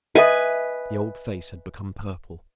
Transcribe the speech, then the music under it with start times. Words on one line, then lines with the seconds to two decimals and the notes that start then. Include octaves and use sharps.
The old face had become purple.
0.15 B4 D#5 E5 G#5 D#6